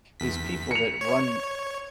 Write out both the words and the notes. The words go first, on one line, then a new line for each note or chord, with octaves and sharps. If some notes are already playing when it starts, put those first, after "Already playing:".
these people that run
E2 B6
C#7 F7
C#5